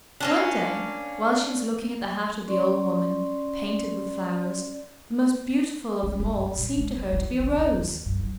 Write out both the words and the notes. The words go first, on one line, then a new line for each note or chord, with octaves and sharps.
One day while she was looking at the hat of the old woman painted with flowers, the most beautiful of them all seemed to her to be a rose.
A#3 C#4 D4
C#4 D5 C6
C#4
A3
F#2
A#2
G#3
C#3
E3
D3
E2
D#2
F#2
F#3